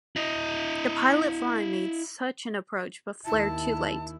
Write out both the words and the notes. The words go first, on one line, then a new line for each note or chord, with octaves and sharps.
The pilot flying made such an approach but flared too late.
E4 D#5
D#2 E4 A5